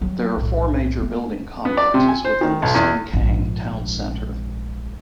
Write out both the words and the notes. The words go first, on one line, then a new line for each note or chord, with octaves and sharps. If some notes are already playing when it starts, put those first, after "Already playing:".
There are four major building complexes within the Sengkang Town Centre.
F#3 C4
B1 A2
A3 B3
B3
D5
C3
G#5
C5
D#3
B1
E2
A#1 G#2